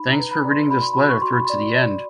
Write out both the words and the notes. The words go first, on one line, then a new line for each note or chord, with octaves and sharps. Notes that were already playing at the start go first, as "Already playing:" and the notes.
Thanks for reading this letter through to the end.
Already playing: D#4 B5
A#5
B4
B5
D5
C6
F#4 B5
C6
F#4 B5
C#6
F#4 C6
B5
C6
D5
D5